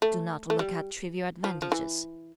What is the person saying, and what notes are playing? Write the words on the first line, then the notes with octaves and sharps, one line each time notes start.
Do not look at trivial advantages.
A3
A3
G3
F3
F3
E3